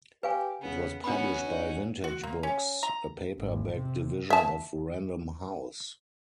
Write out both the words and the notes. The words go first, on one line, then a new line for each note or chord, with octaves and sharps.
It was published by Vintage Books, a paperback division of Random House.
G4 B4 F5 G#5
C#3 B3
B3 C#4 D4 F#4 B5
D#4
F#4
A#3
C#4
A#5
G#1
C3
E5 A5